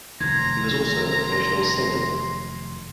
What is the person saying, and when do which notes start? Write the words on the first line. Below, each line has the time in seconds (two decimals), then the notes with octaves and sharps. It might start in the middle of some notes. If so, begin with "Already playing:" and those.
He was also a professional singer.
0.20 F1 F#2 D#3 A#5 C6 G#6